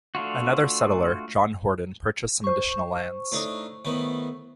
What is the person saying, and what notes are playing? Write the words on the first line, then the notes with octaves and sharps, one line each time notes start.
Another settler, John Horton, purchased some additional lands.
A3 D4 F4 F#4
C5 C#6
A2 D4 D#4
A2 D#3 B3